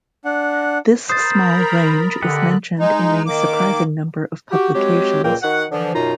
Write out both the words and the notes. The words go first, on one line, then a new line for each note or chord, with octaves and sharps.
This small range is mentioned in a surprising number of publications.
D4 F#5
A#4 C5 A#5 B5 D#6 A6
D3 G4 D#5 F#5 F#6
G#3 D#4
D#3 A#3 D6
F#4 G4
F#3 G#3 C4 G4
C#2 A#2 A#3 A#4 G5
D#3 F#4 F#5
D3 E3 F3
F#2 B2 D#4 F4 A#5